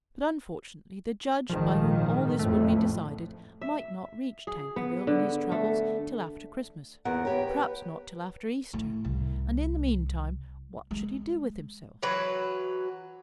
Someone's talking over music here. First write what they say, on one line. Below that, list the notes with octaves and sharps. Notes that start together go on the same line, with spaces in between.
But, unfortunately, the judge by whom all this would be decided might not reach Tankerville in his travels till after Christmas, perhaps not till after Easter; and in the meantime, what should he do with himself?
A#1 G#2 D#3 F3
A1 F2 A2 A3
E5
G#4
B3
D3
A3
E2 B3 A#4 F#5
B3 G4 A#4 C#5
B4
A2
C2
G#3
E3 F#3 B4